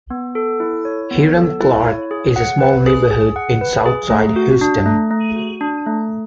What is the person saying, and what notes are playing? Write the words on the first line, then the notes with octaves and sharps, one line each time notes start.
Hiram Clarke is a small neighborhood in south side Houston.
B3
A4
E4
C#5
B3
A4
E4
C#5
G#4
F#5
B4
G#4
G#4
F#5
B4
G#4
A3
F#4
D4
A3
A3
F#4
D4
A3